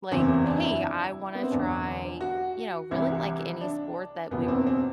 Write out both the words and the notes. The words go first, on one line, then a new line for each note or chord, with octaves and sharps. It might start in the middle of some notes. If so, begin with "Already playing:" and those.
like, "Hey, I wanna try" you know, really, like, any sport that we were
F#1 E2 C3 E3 C4
C4
D4
E4
B3
C4
E1 E2 D3 D4
F#4
C2 C3 E3 E4
D4
F#1 E2 B2 B3
B3
C4
C4